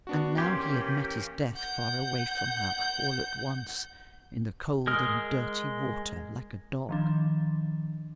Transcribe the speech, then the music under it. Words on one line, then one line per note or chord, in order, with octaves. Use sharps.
And now he had met his death far away from her, all at once, in the cold and dirty water, like a dog.
B3 D4 F#4
E3 A#3 C#4 G4 C6 G#6
F#5 G6
G#3 A#4 D#6 F6
D#3 F3 D4